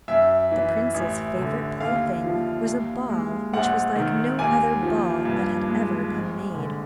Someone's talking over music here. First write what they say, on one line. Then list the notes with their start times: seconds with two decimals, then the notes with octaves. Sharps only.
The prince's favorite plaything was a ball which was like no other ball that had ever been made.
0.08 F#2 E5
0.51 E3
0.94 A1
1.37 D3
1.80 D#2 F5
2.24 F3
2.67 D#2
3.09 G#3
3.53 A#1 F#5
3.96 D#3
4.39 D#2 G#5
4.83 F3
5.25 G2
5.68 G#3
6.12 G#1
6.55 D3